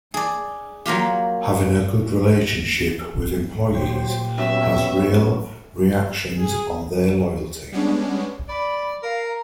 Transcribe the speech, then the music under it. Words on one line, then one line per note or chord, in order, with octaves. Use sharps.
Having a good relationship with employees has real reactions on their loyalty.
G#4 D5
F#3 A#3 F4 G4
A#2 F#3 G4 C5
F#3 B3 C#4 E5
G#4
G3 G#3 B3 C#4 D4
D5 B5
A#4 F5
A#5